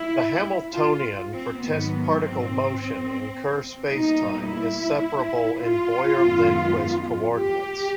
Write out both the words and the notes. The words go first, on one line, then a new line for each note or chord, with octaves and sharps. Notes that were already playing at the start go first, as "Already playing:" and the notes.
The Hamiltonian for test particle motion in Kerr spacetime is separable in Boyer-Lindquist coordinates.
Already playing: E4
F4
C4
G#2 D#3 F#3 B3
C4
B2 G3 A#3 D#4
E4
F4
F#2 D#3 G#3 B3
G4